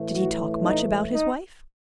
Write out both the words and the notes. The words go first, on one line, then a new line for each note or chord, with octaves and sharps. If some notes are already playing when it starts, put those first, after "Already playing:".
"Did he talk much about his wife?"
Already playing: A2 E3 A3
F#4
D#4
D#4